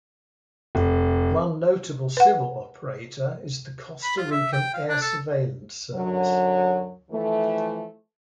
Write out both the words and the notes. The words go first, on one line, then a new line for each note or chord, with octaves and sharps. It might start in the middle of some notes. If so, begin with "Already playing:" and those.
One notable civil operator is the Costa Rican Air Surveillance Service.
F1
B4 F#5
B5
F4
E5
G5
F5
D4
A4
F#2 D3 F#3
E3 F3 A3